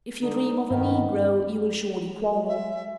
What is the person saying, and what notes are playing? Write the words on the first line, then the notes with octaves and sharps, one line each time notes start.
If you dream of a negro, you will surely quarrel.
D3 D#4
G2 D#3 B3
E5